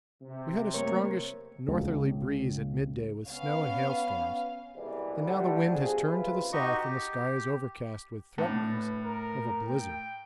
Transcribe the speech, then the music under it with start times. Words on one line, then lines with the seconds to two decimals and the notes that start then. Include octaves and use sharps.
We had a strongish northerly breeze at midday with snow and hail storms, and now the wind has turned to the south and the sky is overcast with threatenings of a blizzard.
0.22 C3
0.74 A3 A#3 A#4 C#5
1.68 C#2
3.27 B3 C#4 F5
4.76 C2 G#2 B2 E3 G3
5.25 D3 G3 A3
5.72 D#2 F3 C4 G#4
6.05 C#2 A2 C3 G#3 F4 B4
6.53 D#4 F#4 G4 D#5 C#6
6.81 G4
8.38 A2 D4
8.71 B4
9.04 A#4
9.69 G5